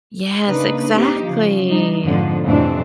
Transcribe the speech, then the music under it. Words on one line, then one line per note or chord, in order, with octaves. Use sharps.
Yes, exactly.
C#3 A#3 D4 D#4 B4
C4 D#4 G4
C#3 F3
G3 D4 D#4
F2 G#2 D3 F3 B3
F2 A2 C3 E3 C4 D4